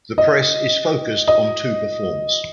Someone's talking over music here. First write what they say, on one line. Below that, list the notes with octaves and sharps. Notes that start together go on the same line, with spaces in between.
The press focused on two performers.
D#5
D#5